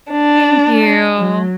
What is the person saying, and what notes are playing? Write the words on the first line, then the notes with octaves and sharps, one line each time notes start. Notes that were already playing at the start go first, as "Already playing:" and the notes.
Thank you.
D4
F#3